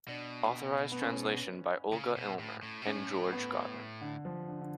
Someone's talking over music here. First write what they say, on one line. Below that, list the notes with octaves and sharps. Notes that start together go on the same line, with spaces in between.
Authorized translation by Olga Illmer and George Godwin.
B2 D4
B3
C#4
C#3
B2
A2
A2
B2
A2 C#4
B3
D3
F3
D3
D3